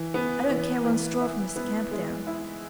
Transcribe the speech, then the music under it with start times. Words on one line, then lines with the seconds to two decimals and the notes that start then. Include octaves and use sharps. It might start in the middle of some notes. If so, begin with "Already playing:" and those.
"I don't care one straw for Mr. Camperdown."
Already playing: E3
0.14 B3
0.49 E3
0.85 E3
1.21 E4
1.56 B3
1.91 G#3
2.27 E4